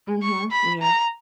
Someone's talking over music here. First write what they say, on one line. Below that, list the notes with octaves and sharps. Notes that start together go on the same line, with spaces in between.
Mhm. Yeah.
C#6
B5
A#5